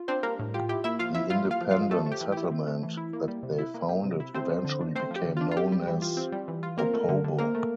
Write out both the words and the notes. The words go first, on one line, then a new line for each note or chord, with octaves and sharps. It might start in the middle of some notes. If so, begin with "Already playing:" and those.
The independent settlement that they founded eventually became known as Opobo.
Already playing: F4
C4 D4 C5
G3 A#3 A#4
A2
F4 G4
E4 G4
A#3 E4 E5
F3 F4 F5
F3 E4 E5
E4 F4 F5
A#3
F4 F5
F3
F4 F5
F3
A3 C4 A4
A3
G4
E3
E4 G4
C4
A3
E3
E4
A#3
G3
C3
E4
A#3
G3
C3
E4
A3 C4 C5
F3
D3
D4
A3 C4 C5
F3
G4
D3
D4 F4
F4
C4 G4
G3
E3
F4
C4
G3
E3
F4
A#3 C4 A#4
A3
D3
D3
A#3 C4 A#4
A3